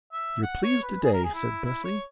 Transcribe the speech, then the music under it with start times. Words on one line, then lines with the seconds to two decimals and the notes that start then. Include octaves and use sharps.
'You're pleased to-day,' said Bessie.
0.13 E5
0.43 F#5
0.63 C#5
0.83 B4
1.03 G#4
1.14 A#4
1.24 G#4
1.34 E4
1.64 E4
1.84 C#5